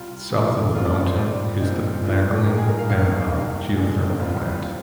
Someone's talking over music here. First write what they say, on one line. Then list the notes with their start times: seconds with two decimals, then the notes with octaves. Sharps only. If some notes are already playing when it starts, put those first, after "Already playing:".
South of the mountain is the Makiling-Banahaw Geothermal Plant.
Already playing: C2 C3 G3 F4
0.31 F2 C3 F3
0.75 G#2 F3 A#3 F4
0.85 D5
0.96 D5
1.07 C5
1.18 A#2 G3 C4 D#4 D5
1.60 C2 A#2 G#3 C4 D#4
2.04 A#2 F3 G#3 D4
2.46 G2 D#3 G#3 D#4 A#4
2.58 G#4
2.69 A#4
2.79 F5
2.90 D#2 D#3 A#3 D#4 F5
3.33 C2 C3 D#3
3.76 C3 F3 G#3 D4 G#4
4.19 C2 C3 G3 F4
4.63 F3 C4